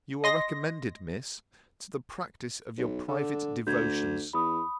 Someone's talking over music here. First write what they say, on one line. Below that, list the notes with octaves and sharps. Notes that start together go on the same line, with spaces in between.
You are recommended, Miss, to the practice of your private devotions.
D#5 C6 A#6
B1
D3
D2 G6 G#6
E2 B5 D#6